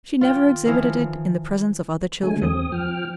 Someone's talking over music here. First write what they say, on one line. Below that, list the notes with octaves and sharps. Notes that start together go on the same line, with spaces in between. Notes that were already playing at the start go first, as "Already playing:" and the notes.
She never exhibited it in the presence of other children.
D#3 F4 G5
E3 F3 F5
D3 F#3 G#3 A3 G#5
E2 C4 D#6
F3 G5 F6